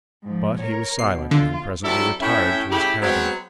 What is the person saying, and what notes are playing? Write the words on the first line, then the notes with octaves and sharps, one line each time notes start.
But he was silent and presently retired to his cabin.
G#2 F3
A#4 C#5
B2 C7
D3 F4
C3 F#3 G3 E4 A4
A2 C#4 E4 E5 G5
A2 C#3 E4 G4
F#3 G#3 B3 C4